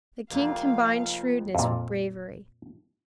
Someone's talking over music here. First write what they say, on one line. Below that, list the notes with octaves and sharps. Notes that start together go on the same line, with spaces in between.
The King combined shrewdness with bravery.
F1 F2 A#3 F5
F2 A#2